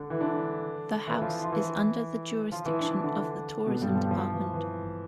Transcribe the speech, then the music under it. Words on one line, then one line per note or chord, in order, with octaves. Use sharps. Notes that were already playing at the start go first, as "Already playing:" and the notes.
The house is under the jurisdiction of the Tourism Department.
Already playing: D3 D4
E3 E4
D3 D4
E3 E4
F3 F4
E4
F4
E3 E4
F3 F4
E3 E4
D4
E4
D3 D4
B2 B3
G2 G3
F3
F3
E3
E3